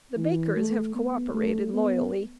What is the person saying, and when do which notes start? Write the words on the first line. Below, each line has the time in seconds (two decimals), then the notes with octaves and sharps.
The bakers have co-operated loyally.
0.17 E3
0.56 A3
0.95 B3
1.34 A3
1.73 B3